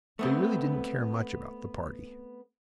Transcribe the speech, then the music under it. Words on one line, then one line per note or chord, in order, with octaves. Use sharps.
But he really didn't care much about the party.
A3 B3 C4